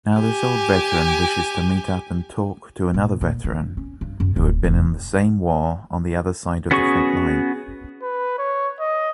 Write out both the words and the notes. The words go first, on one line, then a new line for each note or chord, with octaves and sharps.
Now this old veteran whishes to meet up and talk to another veteran, who had been in the same war on the other side of the front line.
G4 G#5
A#2
A#2
D3
C#4
G2
F#2
D1
F1
B3 C#4 F#4 G#4 C#6
B4
C#5
D#5